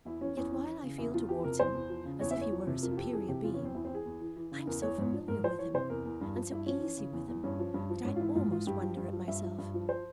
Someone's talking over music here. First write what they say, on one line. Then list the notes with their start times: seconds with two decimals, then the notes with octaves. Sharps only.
Yet while I feel towards him as if he were a superior being, I am so familiar with him and so easy with him that I almost wonder at myself.
0.05 E2 E4
0.21 E3 C#4
0.37 E2 C#4
0.52 E3
0.67 E3
0.83 C#3
0.98 E2 E4
1.14 E2 F4
1.29 F3 G4
1.44 C3 A#4
1.59 E2 C5
1.75 E2
1.90 F3
2.05 C#3
2.21 E2 C#5
2.31 E5
2.36 E2
2.41 C#5
2.52 F3
2.67 C3
2.82 F2 A#4
2.91 F4
2.97 F2 G4
3.13 E3 G#4
3.28 C3 G4
3.44 E2 F4
3.54 C#4
3.60 E2
3.65 C4
3.74 E2 E4
3.85 C4
3.91 E3 G#4
4.05 E2
4.21 E3
4.36 E3
4.51 C#3
4.67 E2 A#4
4.82 E2 C#5
4.98 G#2
5.13 F3
5.28 G#2 A#4
5.44 F3 C5
5.59 E3 C#5
5.74 C3 C5
5.90 E2 A#4
6.05 E2
6.21 G2
6.35 F3
6.51 G2 E4
6.66 F3 C#4
6.81 E3
6.97 C#3
7.13 E2
7.28 E2
7.44 G2 C#4
7.59 F3
7.74 G2
7.90 F3
8.05 G#2 C#4
8.16 F4
8.20 E3 E4
8.35 G#2 F4
8.51 E3 F4
8.67 G2 G4
8.82 F3
8.97 G2
9.13 F3
9.28 G2 E5
9.44 F3
9.58 G2
9.74 F3
9.89 C5